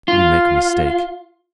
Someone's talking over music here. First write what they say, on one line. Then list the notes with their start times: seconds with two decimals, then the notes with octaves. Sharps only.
"You make a mistake."
0.08 F4